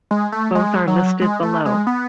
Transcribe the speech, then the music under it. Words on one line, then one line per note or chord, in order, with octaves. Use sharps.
Both are listed below.
G#3
A3
G#3
F#3
G#3
A3
G#3
B3